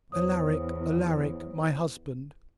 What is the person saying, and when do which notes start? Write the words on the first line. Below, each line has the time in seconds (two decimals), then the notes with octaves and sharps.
'Alaric, Alaric, my husband!
0.12 E2 C5 C#5 D#6